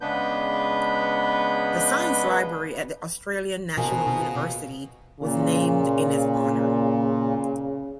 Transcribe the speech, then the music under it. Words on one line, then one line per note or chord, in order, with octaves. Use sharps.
The science library at the Australian National University was named in his honour.
C#3 G#3 B3 D4 B4 G6
B2 F3 G#4 A#4
A#2 C#3